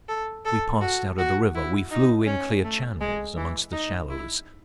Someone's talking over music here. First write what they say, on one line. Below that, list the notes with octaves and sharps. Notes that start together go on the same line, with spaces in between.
We passed out of the river; we flew in clear channels amongst the shallows.
A4
A4
F#4
F#4
E4
D#4
C#4
A3
G#3
E3
D#4
E4